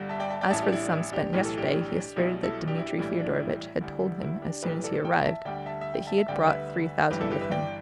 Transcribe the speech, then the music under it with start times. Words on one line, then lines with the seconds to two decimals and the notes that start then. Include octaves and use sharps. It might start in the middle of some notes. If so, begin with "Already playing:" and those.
As for the sum spent yesterday he asserted that Dmitri Fyodorovitch had told him, as soon as he arrived, that he had brought three thousand with him.
Already playing: G1 G2 D3 G3
0.09 E5 A5
0.20 D5 G5
0.30 E5 A5
0.41 D5 G5
0.51 A1 A2 G3 E5 A5
0.62 D4 G4
0.72 E4
0.82 D4
0.92 E4
1.12 D4 G4
1.33 B1 A2 E3 G4
1.45 A4
1.58 D4 G4
2.16 B1 B2 G3 E4
2.43 E4 A4
2.68 D4 G4
2.78 E4
2.88 D4 G4
2.98 B1 A2 E3 G3 E4
3.19 D4
3.40 E4
3.81 D2 D3 G3
4.22 E4
4.42 D4 G4
4.63 B1 A2 E3 G4 B4
4.84 A4 D5
5.05 D5 G5
5.25 E5 A5
5.45 D2 D3 G3 D5 G5
5.66 E5 A5
5.81 E5
5.94 G5
6.07 E5 A5
6.18 E5
6.28 D2 D3 G3 D5 G5
6.48 B4 E5
7.10 G1 G2 E3 G3 G4 B4
7.21 E4 A4
7.30 G4 B4
7.41 B4 E5
7.51 D5 G5